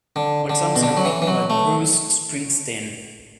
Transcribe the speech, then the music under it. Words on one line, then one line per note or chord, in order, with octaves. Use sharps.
All songs are written by Bruce Springsteen.
D3
D3
B2
D3
F#3
E3
E3
F#3
A3